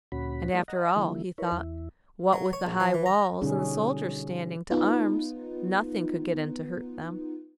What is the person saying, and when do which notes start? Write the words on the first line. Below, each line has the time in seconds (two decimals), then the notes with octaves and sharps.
And after all, he thought, what with the high walls and the soldiers standing to arms, nothing could get in to hurt them.
0.12 D2 A#2 C#4 F#4 B5
0.53 G#3 A#3 E4 F#4 D5
0.68 D#5 F#5 A#5
0.96 D3 E3 F3 G3 A#3 E4
1.38 E4 A#4 B4 C#5
1.52 E2 E4
2.33 F#3
2.53 C#5
2.67 A#1
2.80 F3
2.94 E3
3.06 A#5
3.42 B2 D3 G3 C#4 D#4 G#4
4.70 B3 D#4 F4 B4